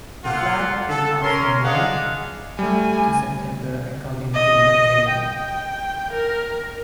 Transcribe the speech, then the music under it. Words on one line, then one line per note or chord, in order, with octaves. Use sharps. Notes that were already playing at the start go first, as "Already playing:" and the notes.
The flag is up from May to September according to the location.
A#3 F4 A4 F#5
A4
C#4 A#4 C6
D4 F4 G#4 D#5 F5 F#5
G3 A3 G#5
D#5
G5
A#4